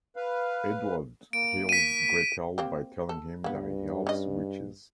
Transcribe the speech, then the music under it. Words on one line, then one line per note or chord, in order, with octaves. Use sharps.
Edward heals Gretel by telling him that he helps witches.
B4 F5
A#3 D7
B6 D#7
A#3 C4 G4
A4
G2 A#3 B3
C#4 D#5